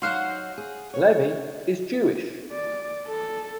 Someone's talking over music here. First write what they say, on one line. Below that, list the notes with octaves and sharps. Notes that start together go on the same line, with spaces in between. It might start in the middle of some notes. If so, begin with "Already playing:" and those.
Levy is Jewish.
F#3 D#4 F#4 C5 F5 F#5
G#4
C#5
D5
A4